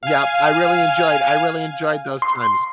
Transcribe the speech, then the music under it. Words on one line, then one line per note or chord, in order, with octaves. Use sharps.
Yep, I really enjoyed I really enjoyed those times,
F5 G#5
C6